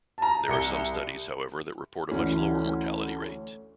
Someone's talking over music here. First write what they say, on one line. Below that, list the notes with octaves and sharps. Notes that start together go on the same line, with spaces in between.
There are some studies however that report a much lower mortality rate.
A5 A#5
C2 C#7 G7
D2 E3 C#4